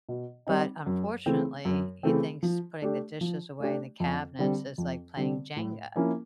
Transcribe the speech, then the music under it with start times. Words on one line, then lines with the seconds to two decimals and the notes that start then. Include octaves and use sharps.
but unfortunately, he thinks putting the dishes away in the cabinets is like playing Jenga,
0.09 B2
0.47 G3 C4 D#4
0.86 F#2
1.26 C#3 E3 A3 C4
1.65 F#2
2.03 C#3 E3 A3 C4
2.43 F3
2.82 A3 D4 G4
3.21 F3
3.60 A3 D4 G4
4.00 F2
4.39 D3 G3 C4
4.78 F2
5.17 D3 G3 C4
5.56 A2
5.96 F3 A#3 C#4 E4